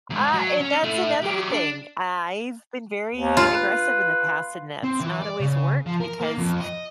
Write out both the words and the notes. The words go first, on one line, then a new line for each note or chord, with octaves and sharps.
Uh, and that's another thing. I I've been very aggressive in the past, and that's not always worked because
D#2 G#2
F#3
C#4
A3 E4
F#3 G4
D4
D#2
F4
B4
C4
E3
D5
C#3
F3
A#4
A#3
F2
D#5